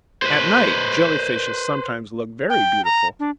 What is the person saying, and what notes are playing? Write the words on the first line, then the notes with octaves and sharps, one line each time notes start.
At night Jelly-fishes sometimes look very beautiful.
B4 C5
G5
A#5
D4